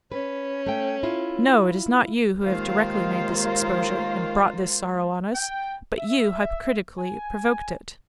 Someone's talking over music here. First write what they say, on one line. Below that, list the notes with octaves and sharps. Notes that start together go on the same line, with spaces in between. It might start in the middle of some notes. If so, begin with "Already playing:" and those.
"No; it is not you who have directly made this exposure and brought this sorrow on us, but you hypocritically provoked it."
C#4 B4
A3 G5
E4 F4
D#2 D#3 G#3 A#3 F4 C5 F5
G5
E5
G#5